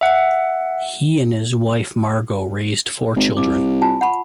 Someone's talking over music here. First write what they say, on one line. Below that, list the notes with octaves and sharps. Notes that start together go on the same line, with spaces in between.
He and his wife Margo raised four children.
E5 F#5
G#1
C2 D6
F4 G#5 A5
F#5 B5 C#6